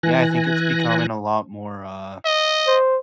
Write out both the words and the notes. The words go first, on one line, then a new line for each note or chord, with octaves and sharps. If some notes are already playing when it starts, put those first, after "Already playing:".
Yeah, I think it's becoming a lot more, uh,
E3 G#5 F#6 A#6
D#5
C5